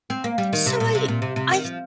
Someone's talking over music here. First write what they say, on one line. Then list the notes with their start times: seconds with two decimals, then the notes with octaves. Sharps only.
so, I I
0.10 C4
0.24 A#3
0.38 G3
0.53 D#3
0.66 C3
0.80 A#2
0.95 C3
1.08 A#2
1.22 C3
1.36 C3
1.51 D#3
1.64 F3